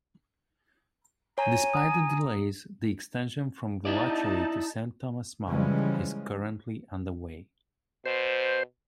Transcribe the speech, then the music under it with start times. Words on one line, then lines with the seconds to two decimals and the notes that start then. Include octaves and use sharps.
Despite the delays, the extension from Velachery to Saint Thomas Mount is currently underway.
1.38 C#5 G#5 A#5
1.74 A#5 D#6
3.85 D#4 E4 D5 A5
5.48 C#3 E3 F3 G3 G#3 C#4
8.06 B2 C5